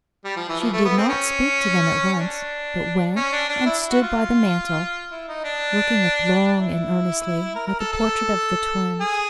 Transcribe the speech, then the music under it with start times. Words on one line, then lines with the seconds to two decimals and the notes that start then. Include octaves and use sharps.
She did not speak to them at once, but went and stood by the mantel, looking up long and earnestly at the portrait of the twins.
0.24 G3
0.36 F3
0.48 E3
0.60 F3
0.73 A3
0.85 B3
0.97 C4
1.09 C#4
2.13 C#4
2.19 D4
3.16 C#4
3.32 D4
3.49 D4
3.65 E4
3.90 F#4
4.02 F4
5.11 E4
5.28 D#4
5.44 D4
6.58 E4
7.55 A#4
7.67 A#4
7.80 A4
7.92 A4
9.01 G#4